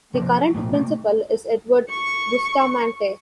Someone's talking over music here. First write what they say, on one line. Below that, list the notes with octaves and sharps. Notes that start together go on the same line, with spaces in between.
The current principal is Edward Bustamante.
C3 F3 F#3 A#3
F#3
B1 A2 F3
C3 A3 A#3
C#6 C#7